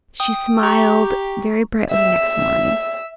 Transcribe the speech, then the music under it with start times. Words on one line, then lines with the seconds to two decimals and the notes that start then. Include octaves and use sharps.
She smiled very brightly next morning.
0.20 G5 D#6
0.63 G4 A#5 C#6
1.91 E5